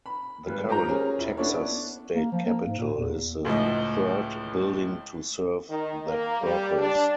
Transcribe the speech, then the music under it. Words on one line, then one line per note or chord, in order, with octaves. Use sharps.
The current Texas State Capitol is the third building to serve that purpose.
B5
G#1 G3 B4
F4 G4 C5 A#5
C#4 G#4 A#4
D#1 E4
B3 C#4 D4 E4 A4 C#5
A#3
F3
A#3
G#2
A#2
E2
C#2 A2 F3 D#4
D#3
A#3
G3
D4